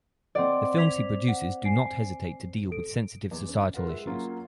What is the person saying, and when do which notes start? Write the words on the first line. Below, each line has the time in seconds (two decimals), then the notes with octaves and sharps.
The films he produces do not hesitate to deal with sensitive societal issues.
0.35 C4 D5 D#5 F#5 C6
0.78 G#6 B6 F7
1.28 F#5
1.65 G#5 C7 D7
2.71 A4 D7
3.31 E2
3.49 C#4
3.74 F4 A#4 B4 F5 F#5
3.89 G#3 E5
4.07 F#3 A#3 C#4 F4 F#4